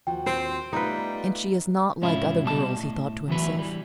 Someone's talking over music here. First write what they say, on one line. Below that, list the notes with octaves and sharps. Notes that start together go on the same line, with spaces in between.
"And she is not like other girls," he thought to himself.
D#2 F3 F#4 G5
C4 C5
G3 A3 B3 D#4 F4 B4
G#2 C3 C#4 E4 F4
B2 G3 A5
A2
E2 A2 E3 F#3 B4
E3 G3